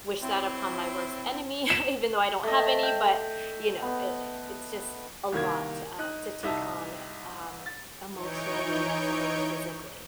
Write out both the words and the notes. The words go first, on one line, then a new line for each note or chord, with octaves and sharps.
wish that upon my worst enemy even though I don't have any, but, you know, i it's just a lot, uh, to take on, um, emotionally, mentally, and physically.
C4 E4 C#5
E7
A3 D#5
G5
B3
C2 D#3 A#3 G#6
D#4 F#6
C2 D#4 E5 A5
A6
E3 D#4 C#5 C#6 G6 D7